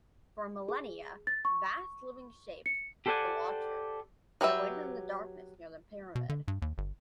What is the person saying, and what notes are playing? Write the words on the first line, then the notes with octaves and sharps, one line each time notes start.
For millennia, vast living shapes-the Watchers-have waited in the darkness near the pyramid.
G#4
A6
C#6
C#7
G4 A4 C5 D5 F#5 G#5
F#3 G4 B4 E5
B2
D3
G2
D#2
G1